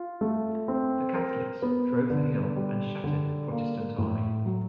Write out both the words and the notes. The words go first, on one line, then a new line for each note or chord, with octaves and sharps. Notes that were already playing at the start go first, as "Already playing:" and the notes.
The Catholics drove the hill and shattered the Protestant army.
Already playing: F4
A3
C4
A#4
B3
D3
G3
D3
A#3
A2
F#3